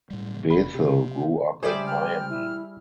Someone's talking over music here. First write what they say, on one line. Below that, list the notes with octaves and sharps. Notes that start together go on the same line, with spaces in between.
Bethel grew up in Miami.
A2 G3
F1 B5
C3 G4
G3 G#4 C5 D5 E5
G5 F6
E4